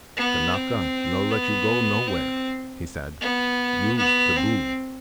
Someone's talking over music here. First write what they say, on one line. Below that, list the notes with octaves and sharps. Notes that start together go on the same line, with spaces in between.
'Kanaka no let you go nowhere,' he said; 'you taboo.
B3
C4
B3
C4
B3
B3
C4